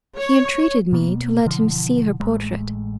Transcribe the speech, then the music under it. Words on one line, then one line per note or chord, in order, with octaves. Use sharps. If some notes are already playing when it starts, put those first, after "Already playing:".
He entreated me to let him see her portrait.
C#5
B2 A#3 B3
B2 D3 E3 F3
A1 G#3 A3